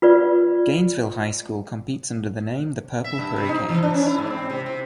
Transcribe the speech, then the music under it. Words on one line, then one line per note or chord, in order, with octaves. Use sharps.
Gainesville High School competes under the name The Purple Hurricanes.
F4 B4 D5
E5
G2
C3
D#4
E3
D4
C#4
E4
G#2
C4
C3
C3